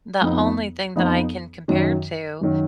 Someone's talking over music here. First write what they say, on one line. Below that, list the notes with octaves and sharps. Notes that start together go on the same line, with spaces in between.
the only thing that I can compare to
F2 F3 B3 D#4
F2 F3 B3 D#4
F#2 D#3 F#3
F#2 D#3 F#3